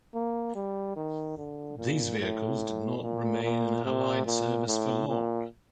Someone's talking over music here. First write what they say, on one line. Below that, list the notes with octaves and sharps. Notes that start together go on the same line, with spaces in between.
These vehicles did not remain in Allied service for long.
A#3
G3
D#3
D3
A#2
A2
A#2
A#2
C3
A#2
A2
A#2